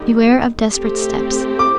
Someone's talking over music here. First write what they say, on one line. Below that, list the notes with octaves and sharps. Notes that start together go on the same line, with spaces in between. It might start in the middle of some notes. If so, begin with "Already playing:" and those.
Beware of desperate steps!
Already playing: D3 G3 A#3 D#4 G4
A3 C4 G4
D6